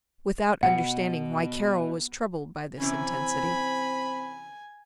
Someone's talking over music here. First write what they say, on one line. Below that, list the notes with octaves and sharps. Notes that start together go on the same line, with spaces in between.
Without understanding why Carol was troubled by this intensity.
B2 F#5
C3 E3 C4 C#4 G#5 B5